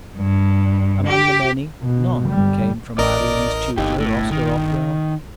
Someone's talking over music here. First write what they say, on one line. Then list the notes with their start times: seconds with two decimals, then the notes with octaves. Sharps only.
Amongst the many, none came from Irene's tutor, Oscar Otwell!
0.18 G2
1.07 G4
1.82 B2
2.28 G1 G3
2.98 A1 A#4 D5 D#5
3.78 G1 D#4 G4
4.00 A2
4.32 D#3